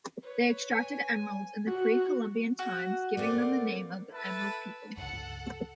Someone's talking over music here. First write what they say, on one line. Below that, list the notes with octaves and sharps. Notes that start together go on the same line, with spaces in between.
They extracted emeralds in pre-Columbian times, giving them the name "The Emerald People".
B4 C#5
G#5
F#4
F#4
A3 A#3 C4 D5
E4 A4 B4 A5
C#2 G2 A4 F#5